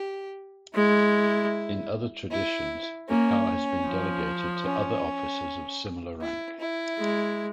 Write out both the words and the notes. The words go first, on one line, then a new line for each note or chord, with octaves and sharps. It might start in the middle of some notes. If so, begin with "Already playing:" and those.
In other traditions, the power has been delegated to other officers of similar rank.
Already playing: G4
G#3 E4
E4
A#3 C#4
F3
C#4
E4
E4
G#3